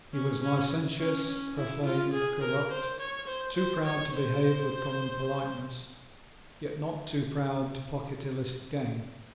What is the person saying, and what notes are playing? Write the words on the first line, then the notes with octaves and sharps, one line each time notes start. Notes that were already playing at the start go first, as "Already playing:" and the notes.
He was licentious, profane, corrupt, too proud to behave with common politeness, yet not too proud to pocket illicit gain.
C#4
C#4
C#4
C#4
E4
F4
G#4
A#4
C5
C#5
C5
C5
C#5
C5